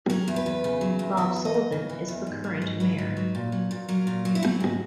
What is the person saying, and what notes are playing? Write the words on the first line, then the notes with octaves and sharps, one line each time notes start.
Bob Sullivan is the current mayor.
F#3 A#4
E2
B4
E2
C#3
F#3
E2
E3 E5
E2
D#5
E2
C#3
E3
E2
G#2
F#3
G#2
F#3 B4
G#2
F#3
A#2
F#3
A#2
F#3 A#4
A#2
F#3
E4
F#3 F#4
G#2